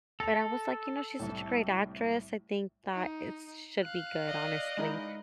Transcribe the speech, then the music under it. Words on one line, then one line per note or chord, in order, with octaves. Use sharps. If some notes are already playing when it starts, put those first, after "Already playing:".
but I was, like, you know, she's such a great actress. I think that it should be good, honestly,
A4 A#6 F7
C2 A2
D#4
F5 F#6
D5 D#5
G#3 D#4 E4